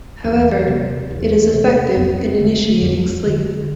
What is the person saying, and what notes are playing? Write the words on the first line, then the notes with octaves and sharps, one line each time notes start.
However, it is effective in initiating sleep.
E2
C3
E2
C3
F2 C4
D3 A3
F2 G3
D3